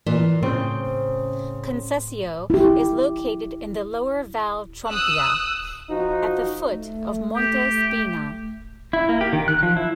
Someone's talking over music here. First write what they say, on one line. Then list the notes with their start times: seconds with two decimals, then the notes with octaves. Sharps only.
Concesio is located in the lower Val Trompia, at the foot of Monte Spina.
0.07 A#2 E3
0.43 A2 C#3 C4 G6
2.50 E4 G4
4.89 D#6 E6 F#6
5.89 F3 D#4 F#4
6.70 A3
7.36 G4
8.93 E4
9.09 A#3
9.21 G4
9.33 D#3
9.48 F#6
9.63 F3
9.77 E4